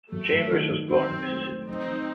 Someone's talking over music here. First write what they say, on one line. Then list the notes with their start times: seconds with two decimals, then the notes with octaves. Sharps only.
Chambers was born in Mississippi.
0.12 F#2 A3
0.32 F#2
0.52 D#3
0.70 F#2
0.90 F#2 C4
1.10 F#2
1.30 A3
1.49 A3
1.68 F#3 C4 D#4
1.88 F#3